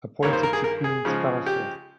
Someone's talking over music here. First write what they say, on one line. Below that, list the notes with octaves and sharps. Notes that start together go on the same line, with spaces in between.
Appointed to Queen's Council.
G2 D#3 A#3 C#5
C5
A#4
G#4
A#4
G#4
C#3 F3 G#3
G4